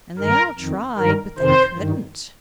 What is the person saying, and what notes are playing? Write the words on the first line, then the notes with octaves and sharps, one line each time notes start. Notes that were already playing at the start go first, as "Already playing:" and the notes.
And they all tried, but they couldn't.
G2 D#3 A#4
F2 D#3
G2 D#3 A#4
F2 C3 D#3 C5
G2 D#3